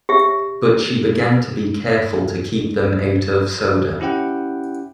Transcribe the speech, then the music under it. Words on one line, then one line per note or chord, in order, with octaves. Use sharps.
But she began to be careful to keep them out of soda.
G4 E5
C#4 E4 G4 F#5 G5